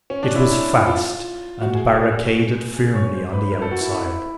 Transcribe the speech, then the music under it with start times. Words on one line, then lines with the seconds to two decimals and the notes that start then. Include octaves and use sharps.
It was fast, and barricaded firmly on the outside.
0.10 C#4
0.23 D4
0.35 E4
0.78 E4
0.86 F4
1.61 F#4
1.75 G#4
1.88 G#4
2.76 G#4
2.96 C#5
3.14 C5
3.33 B4
3.52 A#4
3.62 A4
3.71 F#4
3.81 E4